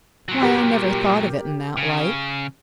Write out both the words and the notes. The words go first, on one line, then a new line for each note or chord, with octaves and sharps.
"Why, I never thought of it in that light."
A#2 F#3
G4 A#4
C#3